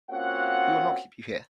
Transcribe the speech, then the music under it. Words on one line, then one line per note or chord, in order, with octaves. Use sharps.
We will not keep you here.
A#3 C4 C#4 F4 F#4 F#5